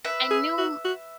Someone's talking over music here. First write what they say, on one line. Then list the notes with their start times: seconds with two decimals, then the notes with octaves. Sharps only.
I knew him
0.05 B4 E5
0.31 G#4
0.58 F#4
0.84 F#4